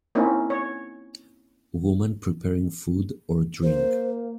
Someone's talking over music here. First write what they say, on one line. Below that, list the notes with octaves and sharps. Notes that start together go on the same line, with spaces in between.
Woman preparing food or drink.
A#3 C4 C#4 D#4 E4
C#5
A#3 C5